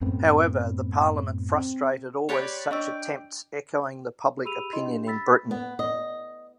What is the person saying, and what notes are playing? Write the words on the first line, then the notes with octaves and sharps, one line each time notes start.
However, the Parliament frustrated always such attempts, echoing the public opinion in Britain.
F#2 A2 B3 C4
C4
G4 B4 C#5 D5 C6 D6
D4 D5 D#5 G5 C#6 E6
G4 G#4 B5 E6 D#7 F7
E4 D#5 C6
D4 G4
B5 E6 A6 B6
B3
D#5